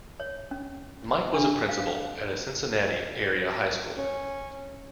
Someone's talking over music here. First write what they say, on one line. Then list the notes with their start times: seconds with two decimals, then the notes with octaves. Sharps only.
Mike was a principal at a Cincinnati-area high school.
0.20 C#5
0.51 C#4
1.34 D4
1.69 F5
3.98 C#4